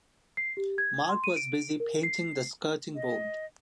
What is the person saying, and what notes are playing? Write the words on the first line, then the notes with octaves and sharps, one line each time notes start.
Mark was busy painting the skirting board.
C7
G4
G#6
C6
D#7
D7
A#4
C7
D#5